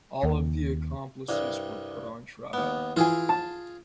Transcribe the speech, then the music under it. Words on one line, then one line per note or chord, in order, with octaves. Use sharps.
All of the accomplices were put on trial.
D#2
C2 G2
D#2 B3
E3 F4 G#4 G#5
A5